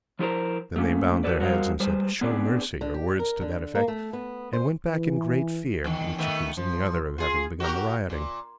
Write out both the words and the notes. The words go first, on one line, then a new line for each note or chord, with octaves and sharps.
Then they bowed their heads and said: "Show mercy!" or words to that effect, and went back in great fear; each accusing the other of having begun the rioting.
F3 E4 G#4 A#4 C5 A#5
A3 A#3 C#4
F#4 A4 B4 D5
G3 F#4 A#4 C5 D#5 F5
G3 G#3 B4 C5
B3 C4 D4 G#4 B4 D5
D3
G4
A#4
D3
A#3
A3
B3
C5
E3
E2 D#3
D#3 A3 B3
F3
F4 G#4
F#4 G4 A#4
A#2